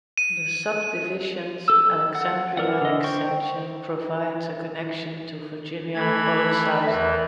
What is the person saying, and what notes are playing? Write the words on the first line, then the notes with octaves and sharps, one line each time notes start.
The subdivision's Alexandria Extension provides a connection to Virginia and points south.
D#7
A4 E6
F#5
A#4 D5 F#5
D3 D#5
C5 G5 C#6
E3 A3 B5 G#6
E2 E3 A#4 E5